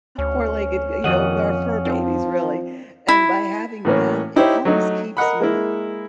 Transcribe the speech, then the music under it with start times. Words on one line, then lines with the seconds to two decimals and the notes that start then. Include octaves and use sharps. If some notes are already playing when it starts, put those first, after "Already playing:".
four-legged g you know, they're our fur babies, really and by having them, it almost keeps me
0.19 D2 C#4
1.04 F2 A#2 D#3 D#5 F#5
1.85 F3 C4
3.08 E4
3.85 A2 E3 A#3 C#4
4.36 D#4 E4 G4 C5 C#5
4.65 F#3 A3 D#4
5.17 A#4 D#5 F#5 B5
5.40 G#3 A#3 E4